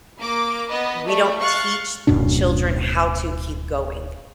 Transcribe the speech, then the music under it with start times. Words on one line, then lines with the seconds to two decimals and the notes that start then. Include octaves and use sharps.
we don't teach children how to keep going.
0.19 A#3 D6
0.70 B3 D#5
1.07 A3 D5 C#6
1.41 F5 C#6 F#6 A6
2.07 D1 F#2 B2 D4